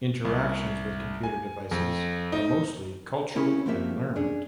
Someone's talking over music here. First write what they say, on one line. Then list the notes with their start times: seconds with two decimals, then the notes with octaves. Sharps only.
Interactions with computer devices are mostly cultural and learned.
0.25 C2
1.24 G#5
1.71 F2
2.32 D#4
3.35 C4 C#4 E4 G4 A#4
3.66 F3 A3 A#3 C4 G4 E5
4.16 C#4 D4 G#4